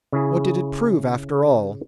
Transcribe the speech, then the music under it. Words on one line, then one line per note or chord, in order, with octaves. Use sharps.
What did it prove after all?
C#3 E4 G#4